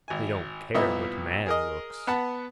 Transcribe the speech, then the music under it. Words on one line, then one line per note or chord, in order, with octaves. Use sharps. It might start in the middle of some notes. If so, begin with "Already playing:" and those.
They don't care what man looks.
G#1 G#5
C2 A#2 B3 D#5 E5 B5
G#4 A#4 D#5
B3 B4 F#5 A5